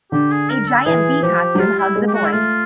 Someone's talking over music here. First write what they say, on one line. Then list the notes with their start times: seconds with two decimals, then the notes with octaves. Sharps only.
A giant bee costume hugs a boy.
0.12 D3 G4
0.31 G#4
0.50 A#4
0.68 A4
0.85 E3 G#4
1.23 F3 G4
1.55 F#3
1.59 G3 F4
1.78 E4
1.96 G#3
2.08 G4
2.14 F#4
2.25 E4
2.32 A3 F4